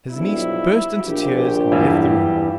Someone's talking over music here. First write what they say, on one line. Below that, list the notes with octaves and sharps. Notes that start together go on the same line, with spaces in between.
His niece burst into tears and left the room.
B1 G2 F3 E4
A#1 G4
E2 G2 E3